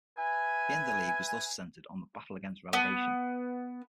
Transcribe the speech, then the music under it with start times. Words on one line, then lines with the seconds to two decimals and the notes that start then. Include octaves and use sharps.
The end of the league was thus centered on the battle against relegation.
0.17 B4 E5 G#5
2.73 B3